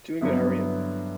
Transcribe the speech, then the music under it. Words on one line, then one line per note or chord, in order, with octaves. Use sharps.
Doing good, how are you?
G2 D3 F#3 B3 E4